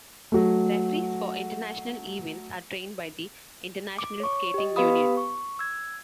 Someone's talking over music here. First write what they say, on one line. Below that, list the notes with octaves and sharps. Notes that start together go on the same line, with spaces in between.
Referees for international events are trained by the International Skating Union.
F#3 A3
D6
C#5 C#6
G4 D#5
B3 G4 B4 F5 B5 D#6
C#6
E6 G#6